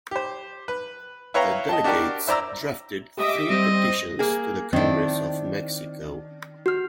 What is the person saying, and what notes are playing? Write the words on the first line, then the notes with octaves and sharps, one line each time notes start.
The delegates drafted three petitions to the Congress of Mexico.
G4 C5
B4
E4 B4 C#5 F5 G5 A#5
D#5 G5 A5
D4 F#4 G4 A#4 D5
E4 C5 D5 A#5 E6
G4 D#5 E5 D6
G3 C4 D#5
A#3 G#4
D#3 C4 D4 E4
F#4 F6